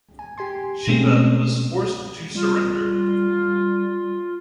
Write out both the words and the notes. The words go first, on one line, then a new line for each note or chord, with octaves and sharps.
Shiba was forced to surrender.
G#5
G4 G#5 C6
B2 G#3 A3 C4 C#4
G3 F4